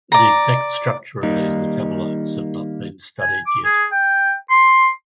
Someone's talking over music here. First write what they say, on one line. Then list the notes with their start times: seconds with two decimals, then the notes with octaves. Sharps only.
The exact structure of these metabolites have not been studied yet.
0.12 D5 A#5
1.23 D#3 G3 A#3 D#4
3.21 G#5
3.47 D6
3.64 G#4
3.92 G5
4.50 C6